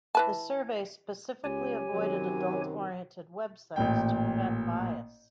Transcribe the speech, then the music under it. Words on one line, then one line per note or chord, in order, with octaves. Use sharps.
The survey specifically avoided adult-oriented websites to prevent bias.
E3 B4 A5
C#2 G4 C#5 G#5
F#2 C3 D#3 F#3
A1 A#2 G5